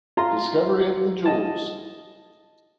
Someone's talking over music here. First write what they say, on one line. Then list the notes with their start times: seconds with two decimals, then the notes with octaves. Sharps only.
Discovery of the jewels!
0.17 F4 A#5 C6
1.26 D#5 A5